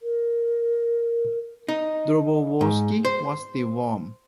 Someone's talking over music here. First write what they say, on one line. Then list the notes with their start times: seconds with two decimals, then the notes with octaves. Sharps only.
Dobrovolsky was still warm.
0.01 A#4
1.68 D#4
2.61 G#2
3.05 C5